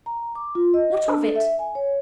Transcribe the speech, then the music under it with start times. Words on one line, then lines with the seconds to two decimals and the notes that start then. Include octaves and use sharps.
"What of it?"
0.06 A#5
0.35 D6
0.55 F4
0.74 D#5
1.08 D4
1.22 A4
1.36 E5
1.59 G#5
1.75 C#5